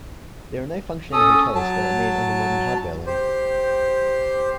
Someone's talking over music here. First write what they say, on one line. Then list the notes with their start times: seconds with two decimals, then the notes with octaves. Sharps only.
There are no functioning hotels that remain on the modern Hardware Lane.
1.12 C#4 A4 D#6
1.55 F#3 A5
3.06 G4 C5